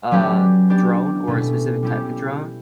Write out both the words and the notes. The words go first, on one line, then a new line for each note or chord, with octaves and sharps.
a drone or a specific type of drone.
F#3 C#4 G4 B4 D5
B3 D4 G4 D5
B2 A3 C#4 E4
G3 C#4 E4 G4